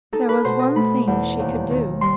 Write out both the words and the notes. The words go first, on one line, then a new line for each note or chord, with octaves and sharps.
There was one thing she could do.
D#4 A4
B4
B2 C5
D#5
A3 B5
E2
D#2
D#3
G3 C6